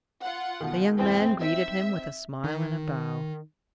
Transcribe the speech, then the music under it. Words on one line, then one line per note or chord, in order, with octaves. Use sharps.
The young man greeted him with a smile and a bow.
F4 F#5
B2 D#3
E2 A2 C4
C4 D#4 E5
D#3